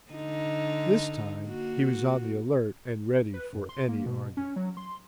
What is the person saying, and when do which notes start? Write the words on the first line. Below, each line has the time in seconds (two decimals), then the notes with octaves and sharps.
This time he was on the alert and ready for any argument.
0.11 D3 D#4
1.45 A#3 F#4
3.34 B4
3.53 F#2
3.69 C6
3.89 A#3
4.06 B2
4.37 C#4
4.56 F#3
4.77 C6